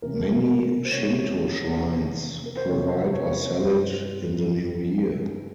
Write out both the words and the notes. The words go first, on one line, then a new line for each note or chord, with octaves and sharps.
Many Shinto shrines provide or sell it in the New Year.
C3 E3 A#3 C#4 A#4
C5
C3 E3 A#3 C#4 C#5
C3 E3 A#3 C#4
A#4
C5
C3 E3 A#3 C#4 C#5
C#5
G2 G3 C4 E4 C5